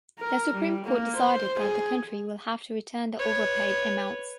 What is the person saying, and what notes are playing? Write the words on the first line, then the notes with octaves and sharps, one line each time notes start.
The Supreme Court decided that the country will have to return the overpaid amounts.
A#4
G3
A#3
C5
G#4
B4 C#5